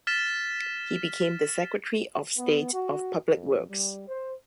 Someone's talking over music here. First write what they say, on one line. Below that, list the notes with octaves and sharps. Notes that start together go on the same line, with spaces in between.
He became the Secretary of State of Public Works.
F6 A6 B6 E7
B3
F#4
F2
G3
C5